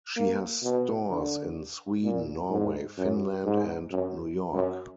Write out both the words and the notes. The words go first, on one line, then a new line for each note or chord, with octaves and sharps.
She has stores in Sweden, Norway, Finland and New York.
A#3
B2
D3
A#2
G#2
F#2
G#2
F#2
F#2